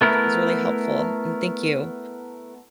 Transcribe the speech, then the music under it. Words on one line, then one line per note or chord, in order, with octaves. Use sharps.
that was really helpful, and thank you
A3 B3 E4 A#4